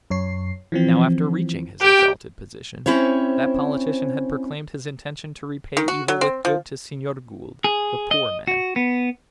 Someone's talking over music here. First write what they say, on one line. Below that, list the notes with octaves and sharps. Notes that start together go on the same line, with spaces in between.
Now, after reaching his exalted position, that politician had proclaimed his intention to repay evil with good to Senor Gould--the poor man.
F#2 C#5 C7
E3 F3 C4
G4 G5 F#6
C4 C#4 E4 C5 C#5
D#3
F#4
F#3
C4
F3
G#4
D#5
F#4
B3